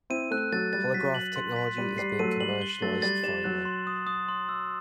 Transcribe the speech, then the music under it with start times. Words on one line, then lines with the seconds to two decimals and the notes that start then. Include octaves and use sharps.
Holograph technology is being commercialized finally.
0.10 C4 E4 D#7
0.31 A3 C4 F#6
0.52 F#3 A3 A6
0.73 G3 A6
0.94 F#3 B6
1.14 F#7
1.36 C6
1.56 B6
1.77 G3 D#7
1.98 G3 C7
2.19 F#3 A3 D#7
2.40 G3 F#7
2.62 G7
2.82 F#3 A3 A6
3.02 G3 A6
3.23 G3 E7
3.44 F#3 F#6
3.65 C6
3.87 D#6
4.07 D#6
4.28 C6
4.49 E6